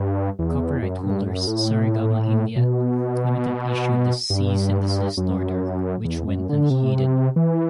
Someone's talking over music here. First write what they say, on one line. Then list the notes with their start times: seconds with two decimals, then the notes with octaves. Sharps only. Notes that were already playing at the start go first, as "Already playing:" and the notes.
Copyright holders Saregama India, Limited issued a cease-and-desist order, which went unheeded.
Already playing: G2
0.39 E2
0.82 F#2
1.03 G2
1.26 F#2
1.47 A2
2.56 B2
4.30 G2
5.17 F#2
6.04 E2
6.27 F#2
6.49 D3
6.70 C3
7.36 E3